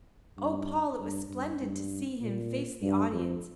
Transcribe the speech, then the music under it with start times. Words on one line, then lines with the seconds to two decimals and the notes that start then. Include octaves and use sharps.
Oh, Paul, it was splendid to see him face the audience.
0.37 G2
0.99 G2
1.29 G2
1.60 G2
2.21 A#2
2.82 G2
3.12 F2